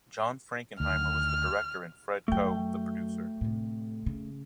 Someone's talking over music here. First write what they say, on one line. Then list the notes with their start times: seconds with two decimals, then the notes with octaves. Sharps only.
John Frankenheimer was the director and Fred Coe the producer.
0.80 D2 D#3 F6
2.28 F#2 F#3 A3 G5
3.41 A2 C3
4.06 C#3